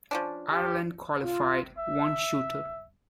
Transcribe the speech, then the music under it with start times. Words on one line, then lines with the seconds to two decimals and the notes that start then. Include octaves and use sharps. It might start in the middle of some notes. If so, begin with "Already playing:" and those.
Ireland qualified one shooter.
0.11 F3 C#4 D4
0.51 G4
1.23 F4
1.79 E5